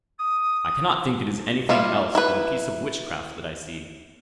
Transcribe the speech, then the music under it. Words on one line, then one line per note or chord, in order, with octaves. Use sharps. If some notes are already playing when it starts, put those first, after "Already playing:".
I cannot think it is anything else than a piece of witchcraft that I see.
D#6
G3 E4 F4 E5
E4 B4